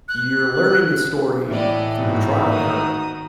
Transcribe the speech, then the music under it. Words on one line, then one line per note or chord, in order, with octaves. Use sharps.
you're learning the story through trial and error,
F#6
A2 E3 B3 D5 D#5
G#2 B3 D#4 F#4
D#3 D#6